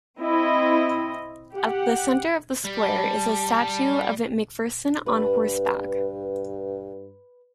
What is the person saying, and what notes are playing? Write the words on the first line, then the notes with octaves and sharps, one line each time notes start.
At the center of the square is a statue of McPherson on horseback.
C4 E4 D#5
G4 F#5
G3
A5
G2 B4